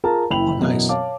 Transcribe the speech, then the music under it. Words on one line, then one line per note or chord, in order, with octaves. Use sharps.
Oh, nice.
F4 G#4 A#4 A5 A#5
F#1 E4 G5 B5 F7 F#7
F#2 B2 E3 F#3
C#5 F5 A5 D6